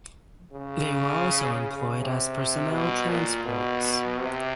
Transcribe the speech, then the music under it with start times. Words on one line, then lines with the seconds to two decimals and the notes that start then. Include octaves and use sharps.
They were also employed as personnel transports.
0.53 C#3
1.62 C#3
2.00 C3
2.72 B2
3.09 A#2
3.45 B2
4.19 C3